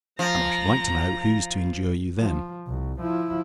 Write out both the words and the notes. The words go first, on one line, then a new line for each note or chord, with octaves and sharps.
And I should like to know who's to endure you then?
F3 A#5
F3
C2
F3 E4